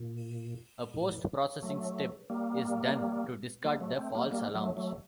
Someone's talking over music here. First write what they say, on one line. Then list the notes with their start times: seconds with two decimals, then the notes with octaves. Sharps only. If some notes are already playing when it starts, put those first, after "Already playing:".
A post-processing step is done to discard the false alarms.
Already playing: A#2
0.94 A2
1.62 F#3 A3
2.30 G3 A#3
3.64 G3 A#3
3.81 F#3 A3
3.98 A3 C4
4.15 G3 A#3
4.32 G3 A#3
4.54 F#3 A3
4.77 F#3 A3